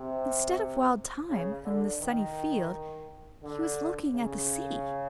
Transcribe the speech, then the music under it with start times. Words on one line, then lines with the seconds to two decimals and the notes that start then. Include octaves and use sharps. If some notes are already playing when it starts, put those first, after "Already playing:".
Instead of Wild Thyme and the sunny field, he was looking at the sea.
Already playing: C3
1.29 C#3
1.64 D3
2.00 D#3
3.43 D3
4.13 C#3